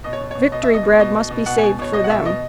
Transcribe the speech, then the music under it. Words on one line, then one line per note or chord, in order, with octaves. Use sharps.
Victory bread must be saved for them.
B2 D#5
C#5
B2
B2 C#5
B2 D#5
B2 E5
D#5
B2
B2 D#5
B2
B2
B2 F#5
G#5
B2
B2 C#5
B2 D#5
F#5
B2 E5
B2 D#5